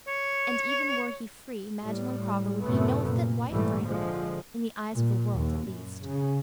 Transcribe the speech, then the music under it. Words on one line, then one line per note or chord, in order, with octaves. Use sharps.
And, even were he free, Magdalen Crawford would be no fit wife for him--in the eyes of the world, at least.
C#5
A2 G3
F#2 A2 C3 A3 B3
A#2
A#1 G#2 E3 G3 A3
D3 F3 G#3
A#2
D#2
F#2
C#3